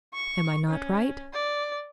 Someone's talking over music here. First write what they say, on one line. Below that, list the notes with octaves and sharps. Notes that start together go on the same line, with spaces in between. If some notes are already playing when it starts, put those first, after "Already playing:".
Am I not right?
C#6
C#4
D5